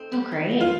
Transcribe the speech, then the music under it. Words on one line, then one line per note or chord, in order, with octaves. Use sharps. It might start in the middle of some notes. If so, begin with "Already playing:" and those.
Oh, great.
Already playing: A3 C4 D#4
G3
D#4
C4
F4